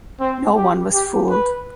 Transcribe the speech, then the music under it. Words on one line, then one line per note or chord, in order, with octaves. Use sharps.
No one was fooled.
C4
G4
G4
B4